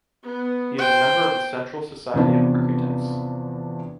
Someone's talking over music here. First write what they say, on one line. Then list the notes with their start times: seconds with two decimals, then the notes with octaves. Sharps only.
He is a member of the Central Society of Architects.
0.24 B3
0.78 C5 G5
2.14 E2 C3 F3 B3 D4